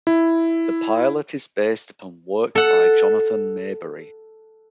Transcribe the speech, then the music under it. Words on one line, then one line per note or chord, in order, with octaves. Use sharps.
The pilot is based upon work by Jonathan Maberry.
E4
A4 F#5